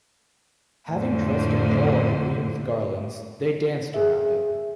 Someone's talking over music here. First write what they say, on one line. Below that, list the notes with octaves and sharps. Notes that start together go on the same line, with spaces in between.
Having dressed a pole on the green with garlands, they danced around it.
F2 A2 D3 C5
G#4 E5